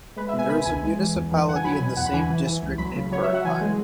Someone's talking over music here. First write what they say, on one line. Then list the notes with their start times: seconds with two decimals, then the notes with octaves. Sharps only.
There is a municipality in the same district named Burgheim.
0.16 G#3 B4
0.28 E5
0.33 B2
0.39 G#5
0.49 B2 B5
0.65 C#2 G#5
0.83 G#3
0.99 E3
1.15 E2
1.32 E3
1.47 E2 F#5
1.56 G#5
1.64 F#3 B5
1.72 G#5
1.80 B2
1.97 E2 F#5
2.06 B5
2.13 E3 G#5
2.30 E3
2.46 E3
2.62 C#2
2.78 F#3 B5
2.95 C#3
3.11 F#3 C#5
3.23 E5
3.28 F#3
3.34 F#5
3.44 E3 G#5
3.61 G#3